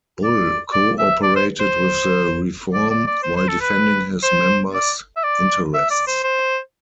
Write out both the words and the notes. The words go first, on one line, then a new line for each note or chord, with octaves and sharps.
Bull co-operated with the reform, while defending his members' interests.
D5
D5
E5
D5
C5
C5
D5
D5
D5
C5
C5
A4
B4
C5
D5
E5
D5
E5
D5
C5
C5